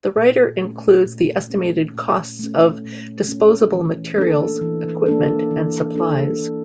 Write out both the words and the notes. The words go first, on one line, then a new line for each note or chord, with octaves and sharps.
The writer includes the estimated costs of disposable materials, equipment, and supplies.
A#2
A3 C#4
A#2
A3 C#4
A#2
A3 C#4
A#2
A3 C#4
E3
A#3 D4 A4
E3
A#3 D4 A4
E3
A#3 D4 A4
E3